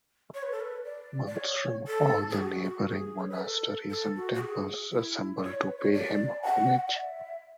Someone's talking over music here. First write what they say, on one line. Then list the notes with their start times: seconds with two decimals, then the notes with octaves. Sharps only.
Monks from all the neighboring monasteries and temples assemble to pay him homage.
0.34 C#5
0.43 B4
0.52 A4
0.61 B4
0.85 D5
1.26 D5
1.36 C#5
1.87 A4
2.30 G#4
2.38 F#4
2.63 F#4
2.88 G#4
3.21 C#5
3.30 B4
3.39 A4
3.90 A4
4.16 F#4
4.34 F#4
4.41 G#4
4.92 E4
5.37 D5
5.43 C#5
5.60 B4
5.77 C#5
5.94 D5
6.45 F#5
6.88 D5
6.96 E5